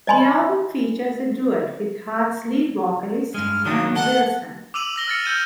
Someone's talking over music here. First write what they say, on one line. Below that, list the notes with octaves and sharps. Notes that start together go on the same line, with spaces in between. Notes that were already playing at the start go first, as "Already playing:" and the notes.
The album features a duet with Heart's lead vocalist, Ann Wilson.
D5 D#5 G#5 B5 C6
G2 G#3 F6
D#3 F#3 D4 D#6
A4 F#5
D6 E6 D#7 F7 F#7
E6 A#6 G7
F6 A6 C#7
E6 F6 G6 D#7